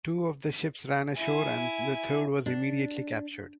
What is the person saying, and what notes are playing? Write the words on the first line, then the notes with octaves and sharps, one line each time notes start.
Two of the ships ran ashore and the third was immediately captured.
E4 G#5
D4